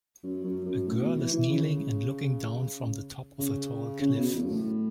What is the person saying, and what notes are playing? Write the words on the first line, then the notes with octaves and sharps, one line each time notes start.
A girl is kneeling and looking down from the top of a tall cliff.
F#2
F#2
F#2
A2
B2
E3
E3
C#3
C#3
C#3
B2
E2
F#2
A2